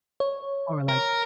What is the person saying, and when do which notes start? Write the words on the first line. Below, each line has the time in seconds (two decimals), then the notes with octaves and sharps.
or, like
0.20 C#5
0.89 A#4